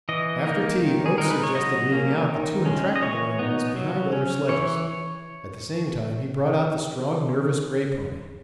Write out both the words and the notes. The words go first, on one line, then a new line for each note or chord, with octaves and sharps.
After tea Oates suggested leading out the two intractable animals behind other sledges; at the same time he brought out the strong, nervous grey pony.
E3 D#5
A#3 D#4
D#3
G#4
G#3 D#4 A#4
B4
C#5
F#3 D#5
A#3 C#4
D#3
G#3 C#4
D#5
E3 C#5
B3 D#4
F#3
C#4
E3 C#5